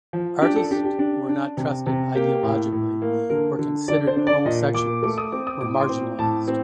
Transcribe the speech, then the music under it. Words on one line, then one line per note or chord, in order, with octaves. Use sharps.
Artists who were not trusted ideologically or considered homosexuals were marginalized.
F3
D4 G4
A4
D4 G4
G4
D4
D4
C3
C3
A#3 G4
A2
A2
A#3
D3 A#4
D3
D3 D5
C5
D4
D5
A#2 D#5
A#2 D6
A3 D6
D#6
C4 D6
D#6
A2 D6
C6
C4
A2 A5
C4